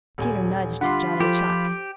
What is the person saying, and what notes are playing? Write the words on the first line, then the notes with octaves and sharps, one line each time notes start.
Peter nudged Johnny Chuck.
D#1 G#5
D3 G3 F4 F#5 B5 C6 D6
F3 G4 A4 C5